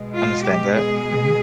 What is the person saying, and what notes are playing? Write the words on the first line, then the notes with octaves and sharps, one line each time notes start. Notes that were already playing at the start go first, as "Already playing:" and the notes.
understand that, mhm.
Already playing: B2 G#3
F4
G4
G#4